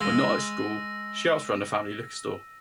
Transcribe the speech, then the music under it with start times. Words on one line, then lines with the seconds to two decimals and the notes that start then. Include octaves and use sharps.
When not at school, she helps run the family liquor store.
0.01 G#3 E6 A#6 D#7